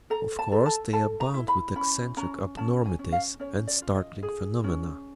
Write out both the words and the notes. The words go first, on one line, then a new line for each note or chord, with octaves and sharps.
Of course, they abound with eccentric abnormities and startling phenomena.
A4 A#5
A5
A4
A5
A4 A5
A#5
E4
B5
C#4 B5
C#4 A#5
C#4 A5
G#5
C#4
F5
C#4 C#5
D5
F4
D#5
G#4
C#4